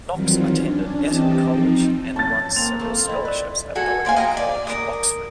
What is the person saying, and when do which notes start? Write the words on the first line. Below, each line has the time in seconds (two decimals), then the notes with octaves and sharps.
Knox attended Eton College and won several scholarships at Balliol College, Oxford.
0.11 D#3 E3 F#3 G3 C4 F4
0.55 C#4 D4
1.05 E3 C4 G4 D#5 A5
1.44 F3 C4 D#4
2.16 C#4 A5 A6
2.56 A#3 C4 F7
2.79 F3 A3
3.07 C4 E4 D#5
3.25 B4 D5
3.75 F#4 A4 G#5
4.05 C5 D5 F5 G#5
4.16 D#5 G5 A#5
4.37 D5
4.67 A#4 D6 D#6